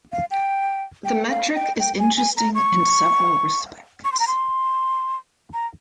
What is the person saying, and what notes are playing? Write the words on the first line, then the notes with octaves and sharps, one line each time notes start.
The metric is interesting in several respects.
F5
G5
G5
F5
G5
G5
G#5
G#5
A#5
C#6
C#6
C6
A#5
C6
A#5